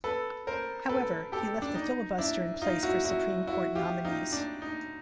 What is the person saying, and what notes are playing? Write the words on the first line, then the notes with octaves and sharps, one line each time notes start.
However, he left the filibuster in place for Supreme Court nominees.
A4 B4
A#4 C5
A4 B4
G4 A4
D4
D#4
D4 E4
D#4 F4
E4 F#4
E4 F#4
E4 F#4
F4 G4
D#4 F4
D4
D#4